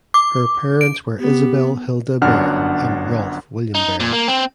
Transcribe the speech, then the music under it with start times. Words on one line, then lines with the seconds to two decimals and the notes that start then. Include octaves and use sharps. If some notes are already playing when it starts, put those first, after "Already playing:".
Her parents were Isabel Hilda Bear and Rolfe William Bear.
0.14 D6
0.81 D7
1.20 B3 G4
2.22 G1 F#2 D4 F#5 F6
3.75 D#4
4.00 A#2
4.13 A#3
4.28 C4